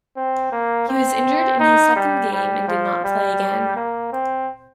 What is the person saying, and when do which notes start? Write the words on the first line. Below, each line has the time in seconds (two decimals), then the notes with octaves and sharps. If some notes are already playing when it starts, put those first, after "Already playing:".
He was injured in his second game and did not play again.
0.16 C4
0.52 A#3
0.88 C4
1.60 D#4
1.96 G3
2.32 G3
2.68 F3
3.04 G3
3.76 A#3
4.12 C4